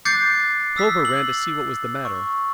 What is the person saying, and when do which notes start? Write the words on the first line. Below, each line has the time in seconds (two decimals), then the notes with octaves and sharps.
Clover ran to see what was the matter.
0.05 D6 F#6 G6 A6 C7 C#7
0.76 D#6 E6 B6
1.05 F#7
2.05 C#6